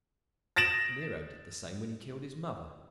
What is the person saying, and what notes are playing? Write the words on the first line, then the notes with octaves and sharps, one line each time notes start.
Nero did the same when he killed his mother.
A6 A#6 D7 E7 F#7